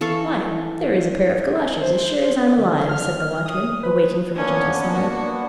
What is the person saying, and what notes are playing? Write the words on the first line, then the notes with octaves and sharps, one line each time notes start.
"Why, there is a pair of galoshes, as sure as I'm alive!" said the watchman, awaking from a gentle slumber.
E3 A4 F5 C#6
C5
D3
F6
D#6
B4
A#3 B3 C#4 D4
F#4